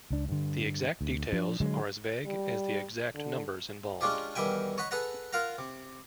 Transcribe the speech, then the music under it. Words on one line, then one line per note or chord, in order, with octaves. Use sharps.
The exact details are as vague as the exact numbers involved.
C#2 D4
G2 D3
D2
F3 D4
D3 F#3 G#3
G3
D3
G#3 C#4 D4 F4 G4 G#4
E2 D#3 G3 E5 G5 G#5
C#5 D#5 F#5 B5
G#4 A4 B4 F#5 A#5
F4 A#4 F5 F#5 A#5
C3